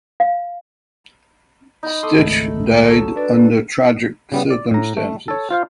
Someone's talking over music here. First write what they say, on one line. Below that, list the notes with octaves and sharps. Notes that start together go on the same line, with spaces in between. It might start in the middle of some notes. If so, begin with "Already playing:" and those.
Stich died under tragic circumstances.
F5
D#4 B5
A4 C6 D6 D#6
G#1 C#2 A3
F#3 A4 A5
D4 B4 D5
C#3 G3 B3
D5
A2 A#5
A3
A4 C#5
F4 C5 F5